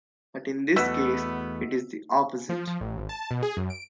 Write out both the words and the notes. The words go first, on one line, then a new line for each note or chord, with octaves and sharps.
But in this case it is the opposite.
E2 B2 A3 B3 E6 B6
F3
F3
A1
G#1
A5
B2
G#4
F#2
D7